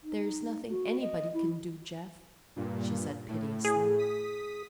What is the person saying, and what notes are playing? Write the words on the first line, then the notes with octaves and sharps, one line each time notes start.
"There is nothing anybody can do, Jeff," she said piteously.
D#4
F#4
D#5
E4
G2 A#2
A2
G#4
D#6 B6